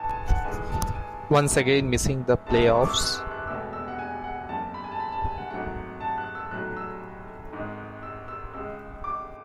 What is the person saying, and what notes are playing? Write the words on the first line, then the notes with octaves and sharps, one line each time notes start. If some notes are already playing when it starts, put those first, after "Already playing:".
Once again, missing the playoffs.
Already playing: A1 G#2 E3 G#5 A5
G#5
F#5
A1 G#2 E3 G#3 G#5
A5
G#5
G#1 F#2 C#3 F#3 A3
G#1 F#2 E3 G#3 A5
C#6
D6
E6
F#6
E6
F#6
E1 E2 B2 A3 E6
E6
F#5
G#5
F#5
F#1 E2 C#3 A5
B5
G#5
A5
B5
A5
G#5
F#5
G#1 G#2 F#3 A3 F#5
A5
F#6
E6
B1 A2 F#3 F#6
E6
G#1 G#2 G#3
E6
E6
C#2 C#3 G#3 E6
D6